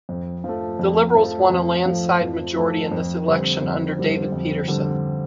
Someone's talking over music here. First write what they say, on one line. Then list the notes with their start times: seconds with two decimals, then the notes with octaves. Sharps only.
The Liberals won a landslide majority in this election under David Peterson.
0.09 F2
0.44 F3 A3
0.79 F2
1.14 F3 A3
1.50 F2
1.86 F3 A3
2.21 F2
2.55 F3 A3
2.91 F2
3.27 D3 G3 C4
3.62 F2
3.96 D3 G3 C4
4.32 F2
4.68 D3 G3 C4